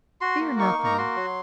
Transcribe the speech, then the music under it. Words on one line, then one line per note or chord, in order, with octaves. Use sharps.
'Fear nothing.
F#4 C6
A#3
D#4 C#6
A#3
A#5
F#4 C6
F#3